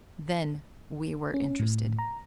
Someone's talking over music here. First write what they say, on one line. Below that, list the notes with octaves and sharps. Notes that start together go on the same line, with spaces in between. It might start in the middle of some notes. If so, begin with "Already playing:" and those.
Then we were interested.
C#4
A2
A#5